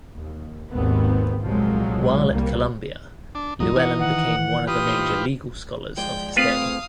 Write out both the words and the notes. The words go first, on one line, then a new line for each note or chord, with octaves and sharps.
While at Columbia, Llewellyn became one of the major legal scholars of his day.
D#2
G#1 D#2 G#2 B3 C4
C2 A#2 F3 F#3 G#3
C2 G3 A#3
D4
G1 E2 F#3 D#4
E3 F#5 G#5
D#3 F#5
F4 G4 B4 D#6
A#2 D#4 C5
F3 G#3 D5 G5
A3 C4 F4 G#4 B4 F5 D#6